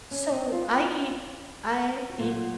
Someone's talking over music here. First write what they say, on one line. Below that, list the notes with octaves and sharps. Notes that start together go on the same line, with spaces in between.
So, I eat I eat
C#4
D#4
F4
F#4
A#2 F#3 F4